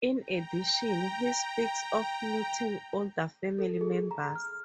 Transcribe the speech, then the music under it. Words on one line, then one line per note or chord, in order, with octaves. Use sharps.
In addition, he speaks of meeting older family members.
G5 A#5
A4
G#4
A#5
F6